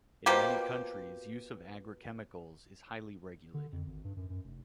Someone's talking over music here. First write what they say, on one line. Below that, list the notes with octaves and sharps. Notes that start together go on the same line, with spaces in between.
In many countries, use of agrichemicals is highly regulated.
B2 F3 A#3 G4
D3
F2
G#1
G2
F#2
F#2
F1